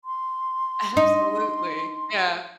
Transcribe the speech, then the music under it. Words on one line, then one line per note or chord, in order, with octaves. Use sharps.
Absolutely, yeah.
C6
D#4